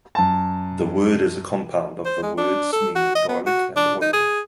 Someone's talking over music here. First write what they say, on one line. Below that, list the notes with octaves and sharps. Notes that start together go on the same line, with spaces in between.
The word is a compound of the words meaning "garlic" and "oil".
F#2 A5
C5
G#3
D4
A4
F#4
D#5
B3
F#4
D4
D#4
G#4